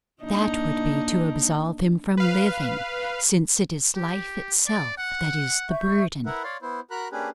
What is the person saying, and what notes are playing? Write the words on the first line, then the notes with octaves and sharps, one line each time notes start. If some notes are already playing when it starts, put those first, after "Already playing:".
That would be to absolve him from living, since it is life itself that is the burden.
A#2 D4 D#4
B4 F5
G4
D5
F#5
E5 C#6 G6
E4 A#4 B4 E5 F#5
C#5 D5 F5 C6
B3 E4 C5
F#4 A#4 A#5 B5 F#6
A#3 C#4 D4 G4 G#4 B4